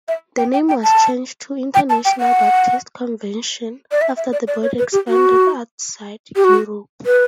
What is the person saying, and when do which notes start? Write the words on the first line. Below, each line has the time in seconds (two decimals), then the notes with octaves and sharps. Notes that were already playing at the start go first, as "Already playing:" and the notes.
The name was changed to International Baptist Convention after the body expanded outside Europe.
0.08 E5
0.38 G5
0.53 G5
0.69 G5
0.83 A5
1.75 G5
1.90 A5
2.05 G5
2.20 F#5
3.92 D5
4.01 E5
4.17 E5
4.32 D5
4.48 D5
4.63 C#5
4.78 B4
4.92 G4
5.08 F#4
6.36 G4
6.44 F#4
7.06 B4